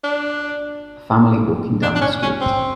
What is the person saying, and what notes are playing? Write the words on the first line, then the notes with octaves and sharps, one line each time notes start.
A family walking down the street.
D4
D4
D4
C#4
C#4
C4